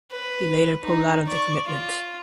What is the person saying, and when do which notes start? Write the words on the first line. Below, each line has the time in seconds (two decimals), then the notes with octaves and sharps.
He later pulled out of the commitment.
0.11 B4
0.83 D#4
1.27 D5 C#6
1.66 F4